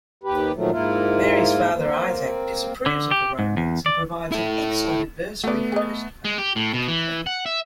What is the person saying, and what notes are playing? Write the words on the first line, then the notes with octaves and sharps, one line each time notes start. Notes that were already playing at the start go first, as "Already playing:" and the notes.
Mary's father Isaac disapproves of the romance and provides an excellent adversary for Christopher.
D#2 G4 B4
A#2 D#3 F3 F#3 A3
G#2 A#3 E4 F4
A#3 C4
D3
G4
G#2
E2
D5
E4 A4
A3 B3 F#4 D5
G#4 D#5
G#3
G4
A2
B2
E3
F#5
E5